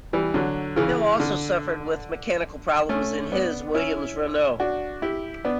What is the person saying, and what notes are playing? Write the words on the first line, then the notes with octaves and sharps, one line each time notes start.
Hill also suffered with mechanical problems in his Williams-Renault.
E3 G3
D3 F#3
C#3 E3
D3
A3 C#4
B3 D4
C#4 E4
D4 F#4
E4 G4
B3 D4